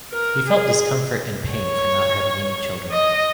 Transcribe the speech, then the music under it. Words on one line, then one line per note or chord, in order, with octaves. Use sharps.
He felt discomfort and pain for not having any children.
A#4
G#4
C#5
D#5